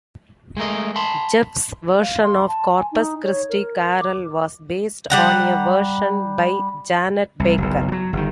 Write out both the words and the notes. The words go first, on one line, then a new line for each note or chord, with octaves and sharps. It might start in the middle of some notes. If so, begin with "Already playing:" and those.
Jeff's version of "Corpus Christi Carol" was based on a version by Janet Baker.
G#3 A3 A#4 D#5
A5 B5 C6
F5
C6
A5
G#5
D#4
C#5
A#4
D6
G3 F#5 A#5
C2
F#1 B1
F3 F#3
G1 D#3